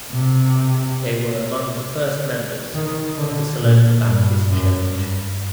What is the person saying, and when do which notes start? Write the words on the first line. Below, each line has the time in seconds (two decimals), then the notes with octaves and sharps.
They were among the first members of the Siloam Baptist Church.
0.12 C3
2.74 D#3
3.18 D3
3.62 A#2
4.05 G2
4.50 F#2
4.93 G2